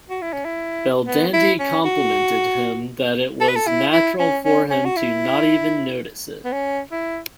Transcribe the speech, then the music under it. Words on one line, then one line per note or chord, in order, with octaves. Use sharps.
Belldandy complimented him that it was natural for him to not even notice it.
F#4
E4
C#4
E4
B3
E4
C#4
F#4
A4
B4
A4
E4
E4
C#4
C#4
C#4
F#4
E4
B3
C#4
E4